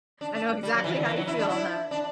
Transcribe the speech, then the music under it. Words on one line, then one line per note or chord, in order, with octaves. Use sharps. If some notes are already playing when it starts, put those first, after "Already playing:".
I know exactly how you feel on that.
D4
D4
G3
F#3
E3
D3
E3
F#3
E4
D4
E4
D4